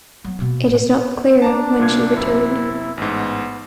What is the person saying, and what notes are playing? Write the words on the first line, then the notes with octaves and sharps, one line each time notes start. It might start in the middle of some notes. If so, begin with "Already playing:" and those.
It is not clear when she returned.
F#3 B3
B2 A#3
A2
D4 A5 A#5 D6
C2 A#2 G#6
F#2 C3 E4
A1 G#2 B3